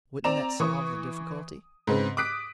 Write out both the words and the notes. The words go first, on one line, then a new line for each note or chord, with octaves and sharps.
"Wouldn't that solve the difficulty?"
C4 D5 A#5 E7
E3 C#6 D#6
G#2 C#3 C4 B4
D6 D#6 F#6 B6 D7